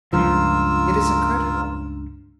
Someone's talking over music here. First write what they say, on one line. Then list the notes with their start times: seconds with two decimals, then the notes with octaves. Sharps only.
It is incredible!
0.13 C#2 G2 F3 F4 A#4 E6